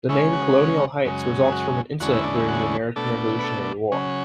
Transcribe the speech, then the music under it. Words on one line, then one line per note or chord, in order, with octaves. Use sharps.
The name "Colonial Heights" results from an incident during the American Revolutionary War.
C#3 G#3 C#4 E4
F#4
F#2 C#3 G#3
G#4
F#4
E2 D3 G#3 C#4 F#4
E4
D4
E4
F#4
B2 A3 D4 A4
B4
A4
C#3 F#3 C#4